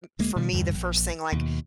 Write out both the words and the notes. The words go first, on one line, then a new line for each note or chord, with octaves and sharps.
u m for me the first thing, like,
D2 G#3 A#3
B2 D#3 G3
E2 G2 D3
A#1
D#2 B2